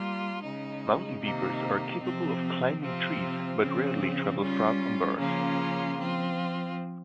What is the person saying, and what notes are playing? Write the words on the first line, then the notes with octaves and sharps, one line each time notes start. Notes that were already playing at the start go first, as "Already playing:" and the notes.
Mountain beavers are capable of climbing trees, but rarely travel far from burrows.
Already playing: G3 A#3 F4
C#3 G#3 D#4
C3 D#3 A#3 D#4
C3 F3 C4
C3 F3 C4 F4
C#3 F3 C4
G3 C#4 F4
C#3 F3 A#3 C#4 F4
F3 C4 F4